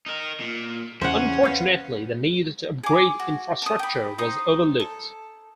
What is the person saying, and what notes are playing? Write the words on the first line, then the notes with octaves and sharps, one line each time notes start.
Unfortunately, the need to upgrade infrastructure was overlooked.
D#4 A#4
A#2
E2 C#3 C#4 C5 F#5
B3 F5
G#4 D6
F#4
A5 D#6
G5 B5
D#4 C5 C6 D#6
A4